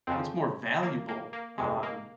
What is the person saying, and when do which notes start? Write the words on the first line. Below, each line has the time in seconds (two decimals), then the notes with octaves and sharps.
what's more valuable, um
0.07 F2 C#3 F3 C4
0.83 A#3
1.08 A#3
1.33 A#3
1.58 G1 F2 C3 G#3
1.83 A#3